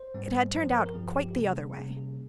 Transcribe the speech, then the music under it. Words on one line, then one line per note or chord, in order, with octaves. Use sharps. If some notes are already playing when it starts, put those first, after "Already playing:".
It had turned out quite the other way.
Already playing: C5
G#2 G3 C4
G2 F3 C4 C5
C5
A#4
A#4
G2 F3 C4 G#4
G4
G4
C3 G3 A#3 C#4 G#4
G#4
C3 G3 A#3 C#4
G#4